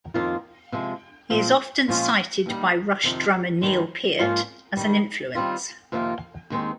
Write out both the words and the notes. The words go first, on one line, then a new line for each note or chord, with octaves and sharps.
He is often cited by Rush drummer Neil Peart as an influence.
F2 D#3 A#3 F4
C3 F3 G#3
A#2 F3 C4
A#2 F3 G#3 C#4 F4
D#2 D#3 G3
F2 C3 D#3
G2 D#3 G#3
G#2 F3 A#3 C#4 F4
G2 D#3 G3
D#3 G3 C4 F4
F2 C3 D#3 A#3 F4
D#2 D#3 G#3 C4